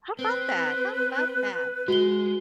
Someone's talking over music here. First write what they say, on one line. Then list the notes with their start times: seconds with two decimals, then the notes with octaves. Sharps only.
How 'bout that? How 'bout that?
0.19 C4 B4
1.88 G#3 F#4 G7